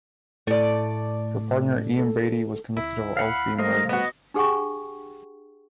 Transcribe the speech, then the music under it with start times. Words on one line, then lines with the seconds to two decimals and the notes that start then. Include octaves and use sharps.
Her partner Ian Brady was convicted of all three murders.
0.47 A2 A3 D5
1.99 A4
2.77 D2 E4
3.17 F5 F#5 B5
3.58 G3 A3 A#4 C5 D#5 F5
3.89 B3 F#4 D#5
4.34 D4 G4 G#4 F#5 G5 C#6